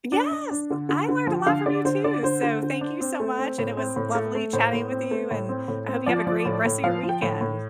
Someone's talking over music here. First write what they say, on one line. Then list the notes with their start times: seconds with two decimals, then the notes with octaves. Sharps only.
Yes, I learned a lot from you too, so, thank you so much, and it was lovely chatting with you, and I hope you have a great rest of your weekend.
0.12 D4
0.31 D4
0.51 D4
0.70 D3
0.89 D3
1.08 D3
1.27 F3
1.46 D3 F5
1.66 D3 D5
1.85 D3 C5
2.04 D3 D5
2.23 D3 C5
2.43 D3
2.62 D3
2.81 D4
3.01 C4
3.20 A3
3.39 C4
3.58 A2
3.77 C4
3.96 A2
4.15 A3
4.35 A3
4.53 A2 C5
4.73 A2
4.92 C4
5.11 A3
5.31 A2
5.49 C4
5.68 A2
5.88 C4
6.06 F3 D5
6.27 F3
6.45 A2
6.65 A2
6.84 F3 F5
7.03 F3
7.09 G5
7.22 A2
7.41 A2